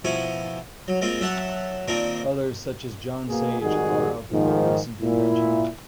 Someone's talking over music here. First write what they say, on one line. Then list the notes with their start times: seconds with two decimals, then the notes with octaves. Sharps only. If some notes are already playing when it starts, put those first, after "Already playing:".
Others, such as John Sage, are of more recent invention.
0.05 B2 F3 E4 G#5 C#6
0.88 F#3
1.02 G#3 A#3 C4 F4
1.21 F#3 E5 F#5 A5
1.88 A#2 D#3 A#3 C4 D4
3.29 B2 A#3 G#4
3.62 F2 G#2 D#3 G3 F#4 G#4
4.31 G#2 D#3 F3
5.02 A#2 E4